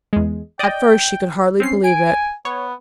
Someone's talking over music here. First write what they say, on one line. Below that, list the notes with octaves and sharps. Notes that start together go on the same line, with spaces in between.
At first she could hardly believe it.
E2 G#3
D5 D#5 G5
C4 C#4 C7
G#5 D7
B3 C#5